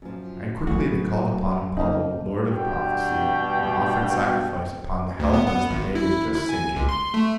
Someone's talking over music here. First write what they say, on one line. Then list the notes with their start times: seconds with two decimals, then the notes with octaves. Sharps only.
And quickly they called upon Apollo, lord of prophecy, and offered sacrifice upon the health as the day was just sinking.
0.02 F#2 F3
0.67 F#3 A3 B3 F#4 G#4
1.77 C#3 A#3 D#4
2.48 G2 B2 G5
5.19 D2
5.33 B3
5.47 B3
5.70 G#1
5.95 E4
6.35 E4
6.49 G#5
6.76 C#2
6.89 C6
7.14 A3